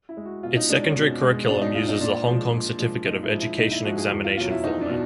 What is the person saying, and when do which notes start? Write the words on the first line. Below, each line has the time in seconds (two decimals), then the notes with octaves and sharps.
Its secondary curriculum uses the Hong Kong Certificate of Education Examination format.
0.09 E4
0.17 G#3
0.25 F#4
0.43 B2 F4
0.57 D#4
0.69 G#3 D4
0.83 C#4
0.96 B2 C#4
1.22 G#3
1.48 B2 D4
1.62 D#4
1.74 G#3 F4
1.88 D#4
2.01 A#2 D4
2.27 F3 G#3
2.53 A#2
2.79 F3 G#3
3.06 A#2 D#4
3.23 E4
3.32 F3 G#3
3.41 E4
3.58 A#2 D#4
3.72 E4
3.84 F3 G#3 F#4
3.98 G#4
4.11 E2
4.24 F4
4.37 B2 F#3 F4
4.51 E4
4.64 E2 D#4
4.81 D4
4.89 B2